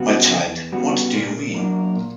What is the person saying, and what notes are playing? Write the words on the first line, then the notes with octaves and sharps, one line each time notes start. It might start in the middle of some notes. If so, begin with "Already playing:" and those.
My child, what do you mean?
Already playing: C#3 G3 B3 F#4
E2
C#3 G3 B3 F#4
A#2
F#3 A#3 D4 A#4
A#2